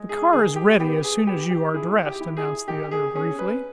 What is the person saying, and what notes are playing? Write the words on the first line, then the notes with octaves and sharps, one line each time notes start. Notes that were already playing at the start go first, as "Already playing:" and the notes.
"The car is ready as soon as you are dressed," announced the other briefly.
Already playing: G#3
G#4
D#3 G#4
G4
B3 G4
G#4
B3 G4
G4
E4 G#4
G4
E4
G#4
D#3 G4
G#4
C#4 G#4
B4